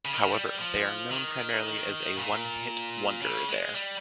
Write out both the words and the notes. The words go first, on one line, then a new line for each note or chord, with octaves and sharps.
However, they are known primarily as a one-hit wonder there.
C#3
D#3
C#3
G3
F3
D#3
A#2
C#3
G#3
G3